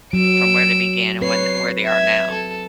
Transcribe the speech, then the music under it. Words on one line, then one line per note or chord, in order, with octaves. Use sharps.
from where they began and when where they are now.
F#3 E6 D7
C4 B4 C#5 C7
E5 G#6
A4